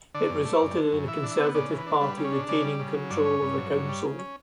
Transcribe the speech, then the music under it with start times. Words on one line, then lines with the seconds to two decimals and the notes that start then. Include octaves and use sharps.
It resulted in the Conservative Party retaining control of the council.
0.14 D3 D5
0.30 F#2
0.45 A3
0.62 F#2
0.77 D3
0.92 F#2
1.08 E3 E5
1.23 D4
1.31 E5
1.39 B3
1.54 C#3 D5
1.71 E3
1.78 B4
1.86 D4
2.01 G3 B4
2.18 C#3
2.25 C#5
2.32 D4
2.48 C#3 D5
2.64 G3
2.79 C#3
2.94 F#3
3.10 G2 D5
3.18 C#5
3.26 C#4
3.41 G2
3.58 F#3
3.72 G2
3.89 G3
4.04 C#3
4.19 C#4